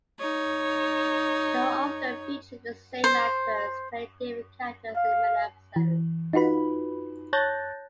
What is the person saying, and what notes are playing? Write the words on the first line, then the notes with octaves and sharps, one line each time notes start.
The show often featured the same actors playing different characters in many episodes.
D#4 C#5
C5
F5
E3
D#4 F4 F#4 B4 B5
C#5 A5 F#6 G6 A6 A#6